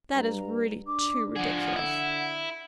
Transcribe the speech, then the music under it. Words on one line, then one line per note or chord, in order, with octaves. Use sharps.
That is really too ridiculous!
G2 A#5
D4 D6
F3 G#4 F#5
D3 E4